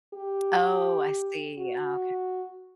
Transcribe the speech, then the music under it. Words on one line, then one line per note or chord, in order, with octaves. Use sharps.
Oh, I see. Oh, okay.
G4
F#4